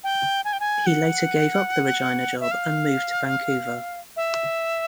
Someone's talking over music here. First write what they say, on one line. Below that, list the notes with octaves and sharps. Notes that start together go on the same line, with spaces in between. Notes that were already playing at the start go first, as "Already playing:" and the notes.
He later gave up the Regina job and moved to Vancouver.
G5
G#5
G5
G#5
F#5
E5
F5
E5